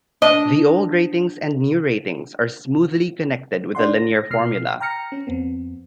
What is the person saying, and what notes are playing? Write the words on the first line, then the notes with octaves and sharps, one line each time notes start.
The old ratings and new ratings are smoothly connected with a linear formula.
D4 D#5
D4 D5 F#5 C6
A#6
B2 F6 C7
G5 A#5 F6 A#6 C#7
C#4
F2 B3 C4